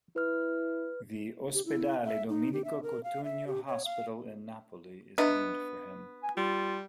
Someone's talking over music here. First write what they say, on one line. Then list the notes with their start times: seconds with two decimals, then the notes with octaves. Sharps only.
The "Ospedale Domenico Cotugno", hospital in Napoli is named for him.
0.16 E4 B4 F6
1.54 G4
1.66 E4
2.05 E5
2.29 D#4
2.53 G4
2.65 E5
2.83 A#4
3.04 F5
3.24 E5
3.47 G4
3.67 C#5
3.85 F5
5.18 B3 D4 D#5 E5
6.23 G#5
6.37 G3 F4